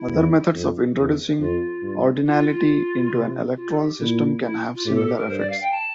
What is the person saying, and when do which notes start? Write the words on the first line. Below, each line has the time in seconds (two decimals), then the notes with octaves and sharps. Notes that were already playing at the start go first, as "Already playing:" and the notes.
Other methods of introducing ordinality into an electoral system can have similar effects.
Already playing: E4
0.11 E2
0.54 F2
0.96 E2
1.39 F2 F4
1.83 G2
2.26 F4
2.48 F4
3.12 C3
3.51 G4
3.56 F4
3.72 A4
3.77 G4
3.99 A#2 E4
4.41 E4
4.74 F4
4.85 A2 G4
4.96 A4
5.06 G4
5.17 A#4
5.28 G2 C5
5.39 D5
5.49 F5
5.61 G5
5.71 A5